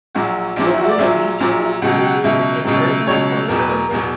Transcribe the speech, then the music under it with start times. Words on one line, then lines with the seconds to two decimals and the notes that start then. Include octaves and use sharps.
Laguna Beach is over there in Irvine, California.
0.15 A#1 A#2 F#3 F#4
0.56 A#1 A#2 F#3 D4
0.67 E4
0.78 F#4
0.84 E5
0.88 D5
0.99 A#1 A#2 F#3 E5
1.40 A#1 A#2 F#3
1.82 C#2 B2 F#3 F#5
1.92 G5
2.03 F#5
2.24 C#2 B2 F#3 E5
2.65 C#2 B2 F#3
3.07 C#2 B2 F#3 C#5
3.48 E2 B2 F#3 A#4
3.59 B4
3.69 A#4
3.91 E2 B2 F#3